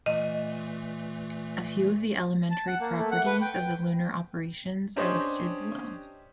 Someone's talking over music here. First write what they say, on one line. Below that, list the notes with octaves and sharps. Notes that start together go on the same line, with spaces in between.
A few of the elementary properties of the lunar operations are listed below.
A#2 E3 A3 D#5
A5
F#5
A#3
A3
F#5
B4
G5
G5
C#4 D4 G4 C5 C#5 D#5